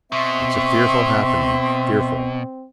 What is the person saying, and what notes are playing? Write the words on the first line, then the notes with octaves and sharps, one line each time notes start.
"It's a fearful happening, fearful."
B2 C4 E5 C6 C#6